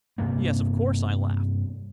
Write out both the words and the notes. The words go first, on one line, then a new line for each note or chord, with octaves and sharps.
"Yes, of course," I laughed.
G2 C3 A#3 B3